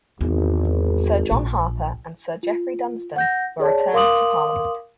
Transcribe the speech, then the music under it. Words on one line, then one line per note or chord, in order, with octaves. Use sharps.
Sir John Harper and Sir Jeffrey Dunstan were "returned to parliament".
G#1 E2 E4
A#1
F4
F#5 G6 A#6
G#4 C#5 D5 A5
A#4 F5 C6 D6 D#6 F#7